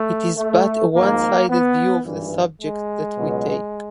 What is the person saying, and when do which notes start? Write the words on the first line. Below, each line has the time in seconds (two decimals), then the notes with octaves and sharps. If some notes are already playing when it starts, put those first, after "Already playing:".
It is but a one-sided view of the subject that we take.
Already playing: A3
0.37 A3
0.93 G#1 G#2 F3 A#3
1.49 B3
2.04 G#1 G2 E3
2.60 G#3
3.16 C#2 B2 F#3